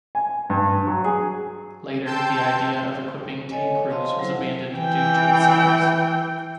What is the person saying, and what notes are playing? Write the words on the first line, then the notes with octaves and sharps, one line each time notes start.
Later the idea of equipping tank crews was abandoned due to its size.
G#5
G2
F#3
G#4
G5 A5 C6 E6 G6
A4 C#5 D#5 G#5
C5 D#5 F5 A5 C6
F#3 E4 C5
E3 G5